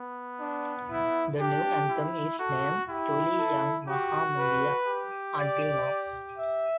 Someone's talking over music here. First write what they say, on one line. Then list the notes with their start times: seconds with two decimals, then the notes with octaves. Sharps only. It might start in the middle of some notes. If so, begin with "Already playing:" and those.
The new anthem is named "Duli Yang Maha Mulia" until now.
Already playing: B3
0.39 D4
0.90 E4
1.40 D4 G4
1.90 E4
2.39 F#4 A4
2.89 E4 G4
3.39 A4
3.88 F#4 G4
4.38 B4
4.88 G4
5.38 D5
6.38 E5